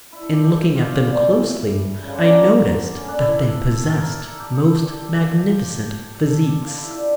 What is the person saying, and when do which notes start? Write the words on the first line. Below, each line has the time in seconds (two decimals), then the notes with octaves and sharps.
In looking at them closely, I noticed that they possessed most magnificent physiques.
0.12 E4
0.23 A4
0.33 G4
0.44 G4
0.75 F4
0.91 F4
1.07 G3
1.23 E3
2.03 C#3
2.13 D3
2.24 A#3
2.97 C#4
3.08 D4
3.18 E4
3.29 A4
3.92 A#4
4.03 A#4
4.24 A4
4.40 G4
4.56 A4
4.71 A4
4.87 G4
5.03 G4
5.19 F4
5.35 G4
6.14 A4
6.30 A4
6.46 G4
6.62 F4
6.78 E4
6.93 D4